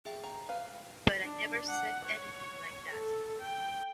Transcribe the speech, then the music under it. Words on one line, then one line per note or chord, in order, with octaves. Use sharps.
But I never said anything like that.
G#4 E5 G5
G5 A#5
B4 F5
D4
F#5
C#5
A4
G5